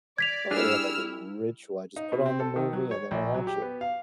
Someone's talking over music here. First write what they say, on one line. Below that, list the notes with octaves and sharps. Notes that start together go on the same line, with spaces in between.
I don't really have like a ritual. I just put on the movie and then I watch it.
D5 G#6 B6 F7
G3 D4 E4 G#4 E6 F6
D#4
B2
C4
A4
D#3
F#3
C#5
A#1
F#3
G4
B3
F5